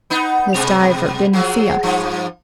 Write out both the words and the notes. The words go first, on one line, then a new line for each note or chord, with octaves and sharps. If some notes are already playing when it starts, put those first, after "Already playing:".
This diver didn't see us.
B3 D#4
B2 G#3
F3 F#3 G#3
G2 F3